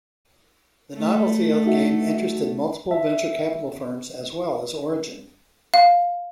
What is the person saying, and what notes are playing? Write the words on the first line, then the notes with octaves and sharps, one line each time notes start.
The novelty of the game interested multiple venture capital firms as well as Origin.
A3
D#4 F#4 E5
E5
F5